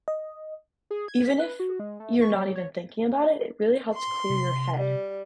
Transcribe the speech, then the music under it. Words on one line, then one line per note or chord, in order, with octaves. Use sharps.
even if you're not even thinking about it, it really helps clear your head,
D#5
G#4
G#6
B6
B4
F#4
G#3
A3
C#6
F#3
C#5
C6
C3
G3